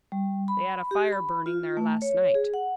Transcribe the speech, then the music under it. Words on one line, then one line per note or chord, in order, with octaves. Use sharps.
"They had a fire burning there last night."
G3
B5
G4
B5
F4
A3
C#5
G#4
F#5